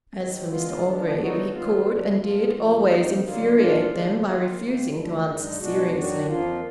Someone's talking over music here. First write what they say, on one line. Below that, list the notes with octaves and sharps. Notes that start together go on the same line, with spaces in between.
As for Mr Orgreave, he could and did always infuriate them by refusing to answer seriously.
G#2 D#3 F#3
D3 G#3 B3 F4
D3 F3 G#3 B3 D4
D3 F#3 B3 D#4 F#4
D#3 F#3 B3 F4
F2 D3 F#3 D4
A#2 F3 G#3 B3 F4
F#2 D3 F3
F2 D#3 A#3 D#4
D3 F#3 A#3 F4
A#2 G#3 D4 F4
D#2 D3 G#3 D4
D#3 A#3 F4
D#2 D#3 A#3
D2 D3 F3 G#3
F#2 D3 G#3 D#4
B2 G#3 D4 F#4
F#2 D#3 F#3 D4 F#4
F2 F3 A#3 F4